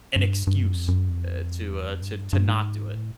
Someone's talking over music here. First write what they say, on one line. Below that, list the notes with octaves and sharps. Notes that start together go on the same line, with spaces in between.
an excuse, uh, to, uh, to to not do it.
G2
G2
F#2
F2
F#2
F2
E2
F2
G2
G2
G#2
A2